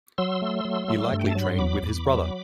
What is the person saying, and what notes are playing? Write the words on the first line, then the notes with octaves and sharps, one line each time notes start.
He likely trained with his brother.
F#3 C6 E6
A3
F#3
A3
G2
G5
A5
F#3 B5
C6
E2 B5 D6
E2
F#3